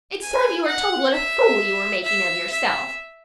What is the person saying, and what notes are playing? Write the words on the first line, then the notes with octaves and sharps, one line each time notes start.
It's time you were told what a fool you were making of yourself.
G#5
F#5
E5
E5
E5